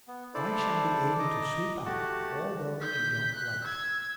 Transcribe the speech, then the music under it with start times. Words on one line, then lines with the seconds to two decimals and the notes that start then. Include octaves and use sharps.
'I shall be able to sweep out all those you don't like.
0.08 B3
0.34 D4 E4 A4 C5 D5
1.19 D#5 A#5 D6
1.86 A3 F#4 G4 F#5 A5
2.80 G6 B6
3.35 F#6
3.64 E6 G#6